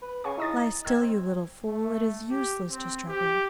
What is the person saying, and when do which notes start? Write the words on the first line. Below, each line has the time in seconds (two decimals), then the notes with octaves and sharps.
Lie still, you little fool, it is useless to struggle.
0.02 B4
0.24 C#3 F5 G#5 C#6
0.38 D#4 E4 D#6 A6
0.85 D#3 E6 G#6
1.00 C4
1.67 A3
2.31 G4
2.70 C4
3.08 G4